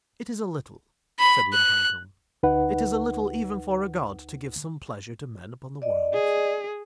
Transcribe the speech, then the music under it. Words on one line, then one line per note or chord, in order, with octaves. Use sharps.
"It is a little," said Limpang-Tung, "it is a little even for a god to give some pleasure to men upon the Worlds."
B5
F#6
D2 D#4 B4 F#5
D5 D#5
G#4